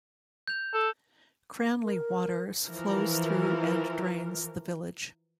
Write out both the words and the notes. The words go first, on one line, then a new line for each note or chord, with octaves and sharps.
Cranleigh Waters flows through and drains the village.
G6 F7
A4
A#4
E3 F3 A#4